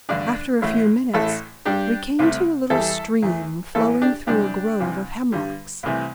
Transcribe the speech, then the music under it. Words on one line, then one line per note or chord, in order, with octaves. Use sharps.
After a few minutes we came to a little stream, flowing through a grove of hemlocks.
A1 G2 D3 D4
A1 A2 A3
A1 A2 A3 E4 A4
G2 G3 D4 G4
C2 C3 A3
E2 E3 G3 E4 A4
E2 E3 A3
A1 A2 E3 E4 A4
D4 G4
C2 C3 E3 G3 D4 G4
C2 C3 E3
G2 D3 G3
C2 C3 E3 A3